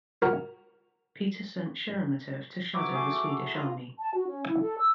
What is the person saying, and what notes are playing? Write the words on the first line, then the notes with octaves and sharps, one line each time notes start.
Peter sent Sheremetev to shadow the Swedish army.
F#4 A#4
F#3 E4 D6
A3 G#4
F4 A#5
A5
F#4
C#4
E4
A4
E6